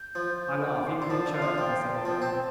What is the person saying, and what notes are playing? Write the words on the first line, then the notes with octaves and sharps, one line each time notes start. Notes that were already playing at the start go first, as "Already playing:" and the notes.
I laugh, even in church, when I see her coming.
Already playing: G6
F3
D6
D6
C6
D3 C6
F3 A5
D3
F5
F3
F3 G5
C6
A5
F3 G5
C4 A5